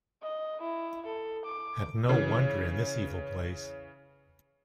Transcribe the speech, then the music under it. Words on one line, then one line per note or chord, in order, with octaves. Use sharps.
And no wonder in this evil place.
D#5
E4
A4
D6
C#3 E3